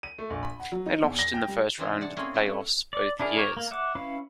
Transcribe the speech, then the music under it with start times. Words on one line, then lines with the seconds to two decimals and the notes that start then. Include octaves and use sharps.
They lost in the first round of the play-offs both years.
0.03 D#7
0.18 A3
0.30 A#1
0.43 B5
0.59 F#5
0.72 F#3
0.86 D#4
1.03 E2
1.19 A#6
1.34 G5
1.48 G3
1.78 C3 E3 C4 D4 E4 G#4
2.01 D5 F#5 A5
2.17 A#3 C4 C#4 E4 G#4
2.34 E4 G4 E5 F#5
2.46 A3
2.93 D5
3.20 D4 E4 G#4 A#4
3.37 G4 A#4 C#5
3.57 A#3
3.71 E5 F#5 D6
3.95 C#4 E4 B4 F5